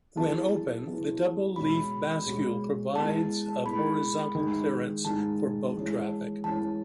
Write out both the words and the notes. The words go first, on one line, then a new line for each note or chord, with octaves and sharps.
When open, the double-leaf bascule provides of horizontal clearance for boat traffic.
F#3 B3 E4 G#4 A5
F#3 B3 E4 G#4
B2 G#3 C#4 F#4 B5
B2 G#3 C#4 F#4
G#3 B3 E4 A5
G#3 B3 E4 B5
D#3 G#3 D#4
D#3 G#3 D#4 A5
E3 G#3 C#4
E3 G#3 C#4 A5